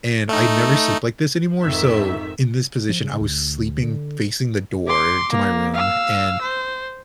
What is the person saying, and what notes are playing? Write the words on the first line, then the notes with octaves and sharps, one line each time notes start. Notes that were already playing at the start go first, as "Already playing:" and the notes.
and I never sleep like this anymore, so in this position, I was sleeping facing the door to my room, and
A3 D#4
F2 G#2 D#3 E5
F3
C#3
D2
D3
C6 D6
A#3
F5 E6
C5